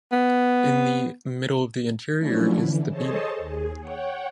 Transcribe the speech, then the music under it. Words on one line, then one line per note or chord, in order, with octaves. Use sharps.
In the middle of the interior is the Bema.
B3
F3 F#3 A3 C#4 D4 E4
D3 E3
G#4 A4 C5 C#5 D#5 A5
D#2 G#4
C#5 F#5 G5